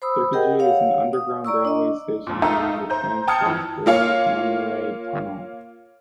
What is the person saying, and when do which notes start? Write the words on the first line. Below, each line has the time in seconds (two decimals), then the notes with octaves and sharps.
Sirkeci is an underground railway station along the trans-Bosphorus Marmaray tunnel.
0.02 C5 B5 D#6 E6
0.33 G4 G#4 A#4 D#5 F#5 G5
0.59 C#5 F5 F#5
1.13 D#6
1.45 D5 A#5 C#6 E6
1.65 D4 D#5
2.27 F2 A#2
2.42 A3 D#4 F4 A4 A#4 E5
2.90 C5 A#5 G6
3.27 G5 A5 D#6 F6 G#6 C#7
3.46 F2 E3
3.86 A#3 F4 C#5 F5